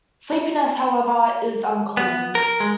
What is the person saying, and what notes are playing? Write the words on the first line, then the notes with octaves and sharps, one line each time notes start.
Sleepiness however, is uncommon.
B3
A#4
G#3